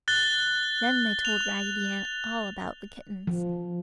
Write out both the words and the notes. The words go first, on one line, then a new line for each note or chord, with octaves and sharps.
Then they told Raggedy Ann all about the kittens.
F#6 A6 G7
F7
F3